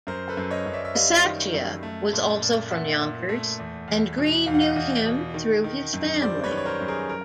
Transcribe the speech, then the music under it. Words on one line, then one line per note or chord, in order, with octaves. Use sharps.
Bissacia was also from Yonkers and Greene knew him through his family.
F#2 A#4 C5
A4 B4
F#2
C#5 D#5
F#2
D5 E5
E5
G3 D#5 F5
D#3
F#2
A3
A#2
A#2
A#2 E5 F#5
A#2
A3
E2
E2
B2
E2 F5
F#5
D#5 F5
E2
B2
D#3
D#3
F#2
G3 C5 D5
B4 C#5
D#3
C#5
A#4 C5
F#2
G#4 A#4
A#4